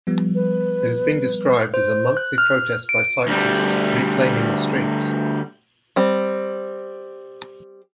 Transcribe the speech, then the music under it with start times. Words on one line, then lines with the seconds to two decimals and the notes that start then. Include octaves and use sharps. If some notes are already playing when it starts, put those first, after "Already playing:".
It has been described as a monthly protest by cyclists reclaiming the streets.
0.07 F3 G3 B3
0.35 B4
1.74 C5
2.17 F#6
2.38 F6
2.89 D7
3.27 D2 G3
5.96 G3 C4